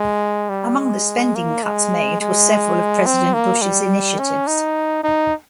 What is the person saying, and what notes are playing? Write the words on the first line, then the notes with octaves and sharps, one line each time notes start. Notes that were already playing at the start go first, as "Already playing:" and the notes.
Among the spending cuts made were several of President Bush's initiatives.
Already playing: G#3
G3
G#3
A#3
G#3
G#3
C4
A#3
G3
C#4
D#4
D#4